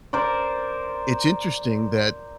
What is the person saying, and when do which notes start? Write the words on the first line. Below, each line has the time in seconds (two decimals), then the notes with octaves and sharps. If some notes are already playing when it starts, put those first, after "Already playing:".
it's interesting that,
0.13 A#4 C5 D5